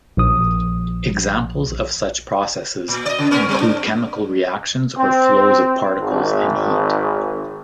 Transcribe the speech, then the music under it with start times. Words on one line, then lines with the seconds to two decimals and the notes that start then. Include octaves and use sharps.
Examples of such processes include chemical reactions or flows of particles and heat.
0.17 A#1 D#6
2.88 A#2
3.06 D5 D#5
3.18 C#3
3.31 B3 C#4 A#4
3.49 G3 C4
3.60 D4
4.96 C4
5.99 G#1